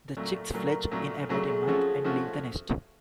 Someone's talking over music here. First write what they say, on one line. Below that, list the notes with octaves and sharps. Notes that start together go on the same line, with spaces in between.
The chicks fledge in about a month and leave the nest.
A#2 F#3 A3
A#2 F#3 A3 A#4
A#2 F#3 A3
A#2 F#3 A3 G#4
F3 A3 C#4 F#4
F3 A3 C#4 F#4